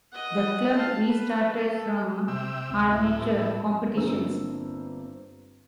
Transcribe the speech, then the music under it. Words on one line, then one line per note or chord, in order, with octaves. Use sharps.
The club restarted from amateur competitions.
D#5 F#5
F5 A5
B4
A4
C3 G5 E6
D2 C4 C6
A2 E4
G4 B4 A5
G1 G2 A#3 C4 E6